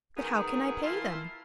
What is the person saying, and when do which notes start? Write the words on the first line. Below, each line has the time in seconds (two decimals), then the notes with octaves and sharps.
"But how can I pay them?"
0.16 F#2 D#3 B3 G#4
0.83 E3 E4 F4 A#4 A5 C6